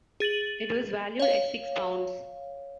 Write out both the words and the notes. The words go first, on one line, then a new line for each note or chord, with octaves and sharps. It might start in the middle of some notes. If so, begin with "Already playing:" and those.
It was valued at six pounds.
G#4 A6 D#7 F#7
C#5 F5